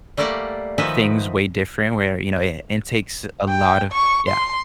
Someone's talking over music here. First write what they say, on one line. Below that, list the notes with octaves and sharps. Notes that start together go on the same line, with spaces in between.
things way different where, you know, eh, it takes a lot of yeah.
G3 A3 A#3 D5 F5 F#5
D#3 F3 F#4 B4 E5 G#5
G5
C#6
C6